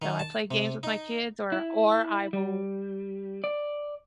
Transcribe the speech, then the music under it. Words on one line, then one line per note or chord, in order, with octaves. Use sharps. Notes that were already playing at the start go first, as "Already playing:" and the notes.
So, I play games with my kids or or I will,
D#3
A5
C3
D#4
E4
G3
D5